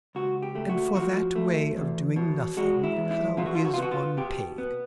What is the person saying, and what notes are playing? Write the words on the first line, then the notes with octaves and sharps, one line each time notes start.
"And for that way of doing nothing, how is one paid?"
C#2 F#4
G4
A3
F#4
F3 F#4
A3
E2
B2
G#3 F#4
E4
E2
E4
B2 F4
F#4
F4
F#4
F4
B3 F#4
F4
B2 G4
B3